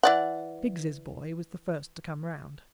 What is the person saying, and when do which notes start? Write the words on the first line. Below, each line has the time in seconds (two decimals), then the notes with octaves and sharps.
Biggs's boy was the first to come round.
0.03 E3 D5 F#5